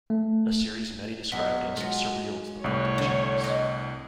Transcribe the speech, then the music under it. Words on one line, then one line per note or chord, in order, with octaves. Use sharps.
A series many described as "surreal to the point of genius".
A3
B1 G#3 F#5 B6
F#3 G#3 F4
C2 A2 C#5
D3
D#5